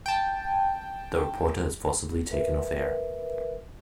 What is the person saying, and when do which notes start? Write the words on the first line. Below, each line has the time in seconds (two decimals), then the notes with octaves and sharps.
The reporter is forcibly taken off air.
0.06 G5 A5
2.31 A#4 B4 E5